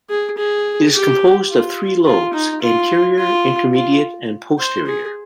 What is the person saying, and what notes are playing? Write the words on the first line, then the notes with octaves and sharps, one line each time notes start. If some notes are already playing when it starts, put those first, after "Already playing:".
It is composed of three lobes: anterior, intermediate, and posterior.
G#4
G#4
G4
F4
F4
D#4
F4
F4
F4
C5
G#4